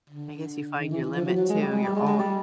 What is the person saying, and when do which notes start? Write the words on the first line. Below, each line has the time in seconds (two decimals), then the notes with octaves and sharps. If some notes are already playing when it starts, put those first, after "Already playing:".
I guess you find your limit, too, you're all
0.10 D3
0.79 D#3
0.91 E3
1.03 E3
1.14 F3
1.25 F#3
1.37 F#3
1.49 G#3
1.61 G3
1.72 G#3
1.83 G3
1.95 G#3
2.07 G#3
2.19 G3